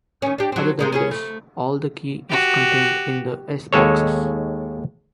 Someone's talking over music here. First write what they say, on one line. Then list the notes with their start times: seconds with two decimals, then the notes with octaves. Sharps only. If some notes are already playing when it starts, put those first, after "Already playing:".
Other than this, all the key is contained in the S-boxes.
0.22 D#3 C#4
0.38 D4 G4
0.52 F#3 C4
0.79 C3 G#3 A#3
0.93 C#4 E4 G#4
1.11 A3
2.30 F#4 G4
3.73 D#2 G#3 A4 C#5